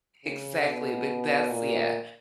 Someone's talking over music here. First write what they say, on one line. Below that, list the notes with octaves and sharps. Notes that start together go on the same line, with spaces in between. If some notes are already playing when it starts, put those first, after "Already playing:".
Exactly, big that's yeah.
C#3
B2
A#2